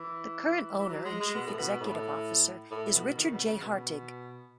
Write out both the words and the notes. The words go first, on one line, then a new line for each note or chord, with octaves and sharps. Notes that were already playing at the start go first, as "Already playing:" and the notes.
The current owner and chief executive officer is Richard J. Hartig.
Already playing: E3
E3
F#3
G#3
G#3
B2
A2
B2
A2
A2
B2
D#3
C#3
B2
C#3
B2